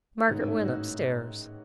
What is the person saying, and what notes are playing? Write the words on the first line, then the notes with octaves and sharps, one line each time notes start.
Margaret went upstairs.
E4
A1 G#2 D#3 B3 D#4
C#4 E4
C#4 E4
D#4 F#4